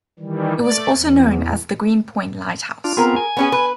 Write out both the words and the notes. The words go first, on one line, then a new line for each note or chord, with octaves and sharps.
It was also known as the Green Point Lighthouse.
D#3 E3 G3
A3 D5
E2
D4 F4
B3 C4 F4 G#4 A#4
G#5
B3 C#4 G#4
B4